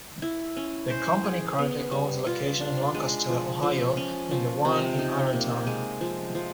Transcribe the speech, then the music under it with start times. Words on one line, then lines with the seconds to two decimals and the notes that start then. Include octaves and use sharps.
The company currently owns the location in Lancaster, Ohio and the one in Ironton.
0.22 E4
0.57 C#4
0.90 C5
1.24 G#4
1.59 B3
1.92 G3
2.26 F4
2.60 D4
2.95 G#3
3.29 F3
3.63 F3
3.97 C#4
4.31 F3
4.65 C3
4.99 D#4
5.33 A#3
5.67 G#3
6.01 F3
6.35 F3